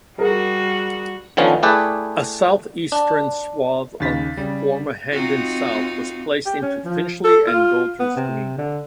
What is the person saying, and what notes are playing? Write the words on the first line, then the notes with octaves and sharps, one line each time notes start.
A south-eastern swathe of former Hendon South was placed into Finchley and Golders Green.
G3 F#4 G#4 A#4
D3 D#3 F3 B3 C#4
A3 E4 G4 G#4 B4 D5
D4
D#2 C#3 A6 B6
C#3 G3
C4 D#4 F4 F#4
G4
C#4
F3
A4
F4
B3
C3
D3